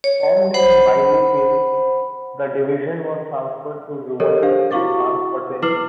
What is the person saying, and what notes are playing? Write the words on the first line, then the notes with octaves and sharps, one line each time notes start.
Formed in Bielefeld, the division was transferred to Rouen in France for training.
C#5
C5 F#5 B5
G4 A4 A#4 C#5 D#5
D4 G4 C5 F5
E4 F#4 F5 C#6 D6 A6
E4 B4 D6 F6 C7 F#7